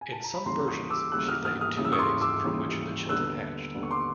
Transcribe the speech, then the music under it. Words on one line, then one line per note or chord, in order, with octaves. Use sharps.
In some versions, she laid two eggs from which the children hatched.
G#5
A5
A#5
B5
D#2 C#3 E3 G3 A#5 C6
C#6 D#6
D6 E6
D#2 C#3 E3 G3 E6 F#6
D#6 F6
D#6 F6
D#6 F6
D#2 C#3 E3 G3 D#6
E6
C#6 D#6
C6 D6
D6 E6
D#2 C#3 E3 G3
D#2 D3 G3 B3 D4 E6 F#6
D#2 D3 G3 B3 D4
C#6
C6 D6